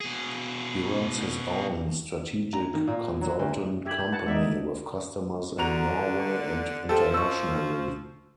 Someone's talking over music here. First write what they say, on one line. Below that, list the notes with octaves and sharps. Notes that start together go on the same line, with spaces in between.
He runs his own "Strategic Consultant - company" with customers in Norway and internationally.
B2 G#4
A#5
D#3
A#2
F#3
D2
D4 G4 E5 G#6 F#7
G6
B4 F#5 A5
G#3 D#4 D5 E5
D3 F#4 A#5 F7
F3 G4 A4
C#6 E6